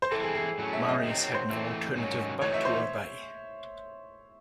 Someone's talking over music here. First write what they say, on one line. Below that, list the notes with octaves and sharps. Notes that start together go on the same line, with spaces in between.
Marius had no alternative but to obey.
C5
E3 C4 E4 A4
G#4
G#4
A2 F#3 C#4
E5
D#5
D#3 F#3 C4
C5
E3 A3 C4
G#2 D#3 F#3 C#4
E3 A3 D#4 F#4 C#5
E5
C5